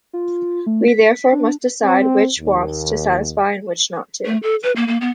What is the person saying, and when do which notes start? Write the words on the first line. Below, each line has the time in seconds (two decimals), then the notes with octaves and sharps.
We therefore must decide which wants to satisfy and which not to.
0.13 F4
0.67 A3
0.88 B6
1.33 D4
1.83 C4
2.40 D#2
4.26 A3
4.43 A4
4.63 B4
4.76 A#3
4.88 A#3
5.01 B3